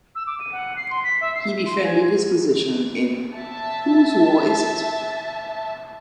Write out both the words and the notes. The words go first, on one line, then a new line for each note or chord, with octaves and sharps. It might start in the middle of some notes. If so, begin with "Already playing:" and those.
He defended his position in Whose War Is It?
E6
D6
D#7
F#5
C7
C6
B6
E5
C7
E5
C6
G#5
E5 A5